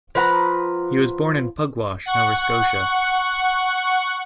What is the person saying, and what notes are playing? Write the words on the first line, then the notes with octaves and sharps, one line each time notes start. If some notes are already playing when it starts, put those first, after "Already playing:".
He was born in Pugwash, Nova Scotia.
F3 B4 F#5 A#5
F#5 C#6